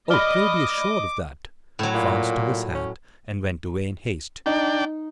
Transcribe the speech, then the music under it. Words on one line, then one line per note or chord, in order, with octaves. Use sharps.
"Oh, pray be assured of that." Franz took his hat and went away in haste.
D5 D#5 B5 D6 F6 G7
A2 F#3
A#2
C#4
D4 D#4 G5